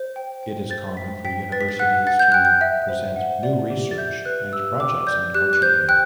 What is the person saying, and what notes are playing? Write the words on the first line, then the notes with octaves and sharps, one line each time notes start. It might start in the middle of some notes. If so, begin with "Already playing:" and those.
It is common for universities to present new research and projects on Culture Day.
Already playing: C5
G5
G5
C5 A6
G5 B6
G5 B6
B4 A6
B6
A6
F#5 F#6
F#5 A6
G6
G5 F#6
G6
E5
C5
F#5
D5
G4
A6
E5 G6
B4 F#6
G4 E6
G5 D6
D5 G6
G4 F#6
F#6
C5 G6
G5 F#6